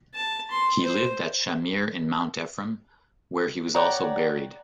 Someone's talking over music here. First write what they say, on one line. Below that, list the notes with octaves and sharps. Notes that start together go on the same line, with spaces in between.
He lived at Shamir in Mount Ephraim, where he was also buried.
A5
C6
C5
C#5 D5 F#5 G5 A#5